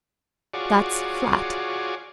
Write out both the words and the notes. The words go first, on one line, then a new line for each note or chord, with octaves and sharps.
That's flat.
F4 F#4 G#4 C#5 D5